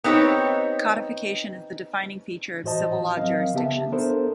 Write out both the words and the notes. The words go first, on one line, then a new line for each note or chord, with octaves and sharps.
Codification is the defining feature of civil law jurisdictions.
B3 C4 D#4 G4 C#5
A2 E3 F#4 C5 D#5 A5
F3 F#3 C4 A#4 D#5 F5
C#3 B3 G4 E5 A5
B3 D4 A4 A#4 C5